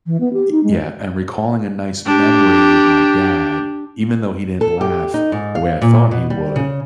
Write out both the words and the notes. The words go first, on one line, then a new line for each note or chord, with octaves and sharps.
Ye yeah, and recalling a nice memory of my dad, even though he didn't laugh the way I thought he would,
E3
B3
G4
D#4
G#3
D4 G4
A4
G4
D#4
G#2
F5
A#2
B2
G3
C#3